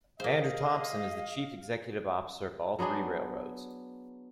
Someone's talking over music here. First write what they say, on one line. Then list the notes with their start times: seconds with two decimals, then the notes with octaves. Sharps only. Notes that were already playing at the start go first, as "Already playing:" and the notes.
Andrew Thompson is the chief executive officer of all three railroads.
0.20 A#3 G#4 C5 D#5 F5
2.79 F#3 B3 D4 G#4